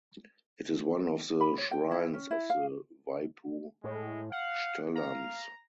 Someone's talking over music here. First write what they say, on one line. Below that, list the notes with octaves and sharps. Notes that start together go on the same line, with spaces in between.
It is one of the shrines of the Vaippu Sthalams.
B5
C#5
G5
E4
C#4
E4
F5
A2 G#3
F5 F#5
F5 A#5